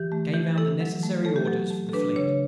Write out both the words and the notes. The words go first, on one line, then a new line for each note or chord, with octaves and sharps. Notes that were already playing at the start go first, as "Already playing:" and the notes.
Gave out the necessary orders for the Fleet.
Already playing: E3 G4
A3
E3
E4 A4
F#3
A3
A3 A4
G4
F#3 A4
A3
A4
D4 B4
C#3 C#5